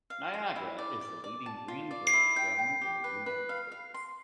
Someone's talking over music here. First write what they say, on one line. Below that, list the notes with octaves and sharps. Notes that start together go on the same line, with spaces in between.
Niagara is the leading green grape grown in the United States.
F5
F5
E4
D5
D5
D5
A5
F4
D5
E4
G5
G5
G4
B4
B4
F5
F5
C6